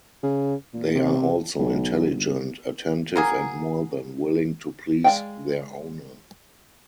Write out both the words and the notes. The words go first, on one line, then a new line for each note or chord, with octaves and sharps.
They are also intelligent, attentive and more than willing to please their owner.
C#3
A#2
C3
B1
G1
F#3 A#3 G#4
G#3 G#4 D5 F5 G5